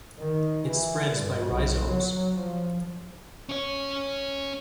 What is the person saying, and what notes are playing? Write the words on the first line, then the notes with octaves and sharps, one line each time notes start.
It spreads by rhizomes.
D#3
E3
G2
B1
F#3
F3
C#4 C#5